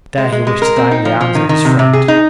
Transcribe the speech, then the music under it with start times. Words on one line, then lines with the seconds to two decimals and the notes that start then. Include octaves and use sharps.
There he wished to die in the arms of his friend.
0.18 G#3
0.32 G#3
0.47 G#3
0.62 A#4
0.77 C4
0.91 D#4
1.05 F3
1.21 F3
1.35 D#3
1.49 D#3
1.65 C3
1.79 C3
1.93 G#4
2.08 D#4